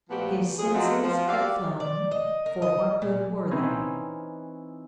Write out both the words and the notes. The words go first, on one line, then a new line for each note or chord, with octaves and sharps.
His senses had flown, for what good were they!
A#2 F3 A3 B3 F#4 G4
F2 G#4
F3 F#3 G#3 A3 C4 F#4
F3
F#4 G4 D5 E5 F5
D5
D#5
A#4
D#5
A#2
E3 C4 C#4 D#4